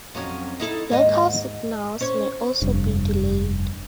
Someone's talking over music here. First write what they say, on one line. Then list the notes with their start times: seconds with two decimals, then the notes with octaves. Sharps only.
Local signals may also be delayed.
0.15 F2 F#3 C#4
0.60 D#4 E4 A4
0.90 D#2 G#2 D#5
2.00 C#4 C5 C#5
2.62 F1 G2